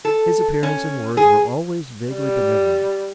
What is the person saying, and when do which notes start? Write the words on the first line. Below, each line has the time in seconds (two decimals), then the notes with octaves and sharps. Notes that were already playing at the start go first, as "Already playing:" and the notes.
His appearance and words were always vaguely benevolent.
0.05 A4
0.63 C#4
1.17 G#4
2.13 G3